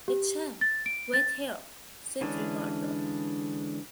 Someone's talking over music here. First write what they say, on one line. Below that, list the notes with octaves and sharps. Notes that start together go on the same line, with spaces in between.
"It shall wait here," said Ricardo.
G4
A6
D7
A6
D3 E3 G#3 C#4 D4